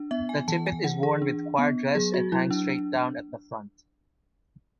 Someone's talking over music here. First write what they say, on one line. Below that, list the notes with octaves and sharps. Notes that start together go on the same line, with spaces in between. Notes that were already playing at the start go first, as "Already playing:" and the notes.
The tippet is worn with choir dress and hangs straight down at the front.
Already playing: D4
B3 E5
G#5
E3 A5
G#5
E3 F#5
G#4
D4
B3
F#3 G#4
F#4
F#3 E4
D4
D4